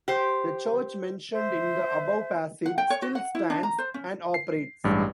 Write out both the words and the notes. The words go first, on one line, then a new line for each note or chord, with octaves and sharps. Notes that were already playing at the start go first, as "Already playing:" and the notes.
The church mentioned in the above passage still stands and operates.
G4 C5
C5 E5
F#5
G5
C#5
F#4
F#5
E4
D4
A#5
C5
C#4
C7
A1 G2 G#3